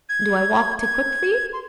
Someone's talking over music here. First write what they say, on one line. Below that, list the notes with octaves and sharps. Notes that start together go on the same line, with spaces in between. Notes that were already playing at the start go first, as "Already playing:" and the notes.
'Do I walk too quick for you?'
G#6
G#6
C6